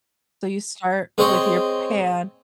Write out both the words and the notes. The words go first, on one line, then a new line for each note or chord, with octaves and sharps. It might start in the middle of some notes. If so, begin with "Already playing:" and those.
So you start with your pan,
G#3 C4 G#4 C#5 D#5